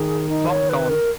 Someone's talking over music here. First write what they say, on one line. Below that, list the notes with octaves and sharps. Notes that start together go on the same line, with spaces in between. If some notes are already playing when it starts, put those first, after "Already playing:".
Clock gone.
Already playing: D#3 G#4
D#4
C#5
B4
A#4